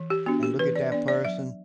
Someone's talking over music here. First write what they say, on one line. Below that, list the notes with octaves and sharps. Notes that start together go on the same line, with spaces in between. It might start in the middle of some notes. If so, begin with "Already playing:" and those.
and look at that person
Already playing: E3
G4
B3 D4 F#4
G4
E3 B4
D5
B3 D4 D5
D5
F#3 E5